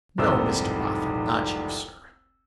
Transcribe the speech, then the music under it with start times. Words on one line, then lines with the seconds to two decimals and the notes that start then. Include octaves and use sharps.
'No, Mr Boffin, not you sir.
0.18 F1 C2 G#2 D#3 C5 E6